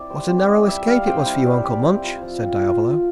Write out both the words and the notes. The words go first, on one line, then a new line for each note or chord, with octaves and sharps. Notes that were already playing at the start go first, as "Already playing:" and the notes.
"What a narrow escape it was for you, Uncle Munch," said Diavolo.
Already playing: C4 E4 D5
G3 C5
C4
D5
E4
G3 E5
G3 F5
C4 G5
E4
G3
G3
C4
F4
F3
F3
C4
F4